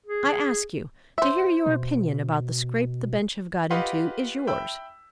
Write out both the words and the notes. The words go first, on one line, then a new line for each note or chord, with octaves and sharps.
I ask you: to hear your opinion about the scrape the bench have got into, is yours.
G#4
C5 E5
B2
F4 G4 B4 D#5 F5 F#5
E5 G5 B5 E6